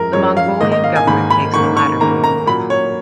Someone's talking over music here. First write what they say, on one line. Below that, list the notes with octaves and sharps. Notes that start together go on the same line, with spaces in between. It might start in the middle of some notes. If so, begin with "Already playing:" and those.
The Mongolian government takes the latter view.
Already playing: F#2 F3 G#3 A#4
F#2 F3 G#3 C#5
F5
G#2 D#3 A#3 D#5
D#5
F5
G#5
G#2 D#3 A#3 B5
B5
G#2 D#3 A#3 C#6
C#6
G#2 D#3 A#3 A#5
A#5
A#2 F#3 A#3 B5
C#5